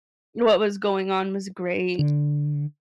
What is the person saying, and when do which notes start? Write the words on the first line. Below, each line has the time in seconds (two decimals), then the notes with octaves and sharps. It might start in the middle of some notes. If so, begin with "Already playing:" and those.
what was going on was great.
1.99 D3